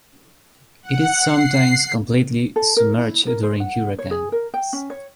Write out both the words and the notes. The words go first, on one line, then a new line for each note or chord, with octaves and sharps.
It is sometimes completely submerged during hurricanes.
F#5
C7
A4
A#4
E4
A#4
C5
F#5
C#5
G#4
A#4
G5
C#4
C#5